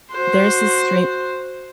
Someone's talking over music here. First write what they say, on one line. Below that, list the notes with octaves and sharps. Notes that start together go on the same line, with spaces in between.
there's this stream
F#4 C5